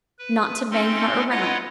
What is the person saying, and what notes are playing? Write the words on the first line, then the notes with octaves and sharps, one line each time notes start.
Not to Bang her round.
B4
C4 C#4 D#4 A4 C6
E4 F4 B4 C#5 D#5 F#5